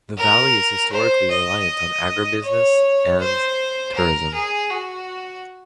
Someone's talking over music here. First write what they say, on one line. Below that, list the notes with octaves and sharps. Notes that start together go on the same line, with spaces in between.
The Valley is historically reliant on agribusiness and tourism.
A#4
C5
D#5
C#5
C5
A#4
G#4
F#4